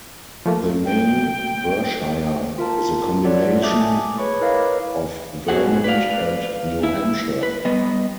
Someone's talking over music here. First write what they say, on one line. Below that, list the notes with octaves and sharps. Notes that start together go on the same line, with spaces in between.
The name Vershire is a combination of Vermont and New Hampshire.
F3 A3 A#3
G5
F4 A#4 A5
F4 A4 C#5 D5 F#5
D#5 E5 A5 D6 D#6
G#5
G#4 B4 C#5 B5 C#6 D6
E4 A#4 B4 C#5 D#5 F5
B2 F#4 G#4 F#5
B4 D5 F5
E4
B4
G3 B3 D#5